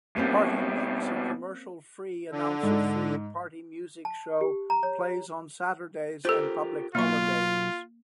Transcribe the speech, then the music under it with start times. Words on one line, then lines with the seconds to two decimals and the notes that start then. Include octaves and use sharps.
Party Mix, a commercial-free, announcer-free party music show, plays on Saturdays and public holidays.
0.17 B2 G3 A#3 C4 C#4
2.32 D3
2.63 G#2
4.05 A5
4.41 G4
4.70 A#5
4.83 C#5
6.25 F4 G4 A4 A#4 C5
6.95 B2 F#3 A#3 F4 C#6